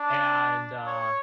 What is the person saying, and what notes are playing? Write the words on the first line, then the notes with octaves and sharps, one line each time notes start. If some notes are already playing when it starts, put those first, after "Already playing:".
and, uh,
Already playing: D4
C#5